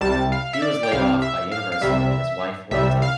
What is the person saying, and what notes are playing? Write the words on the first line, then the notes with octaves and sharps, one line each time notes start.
He was laid off by Universal and his wife left him.
C2 C3 G3 A5
F5
E5
D5
G5
C2 C3 G3 F5
E5
F5
F5
C2 C3 G3 E5
C2 C3 G3 E5
F5